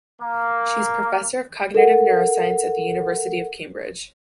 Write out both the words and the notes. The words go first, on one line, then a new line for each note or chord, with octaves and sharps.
She is Professor of Cognitive Neuroscience at the University of Cambridge.
A#3
A4 A#4 F#5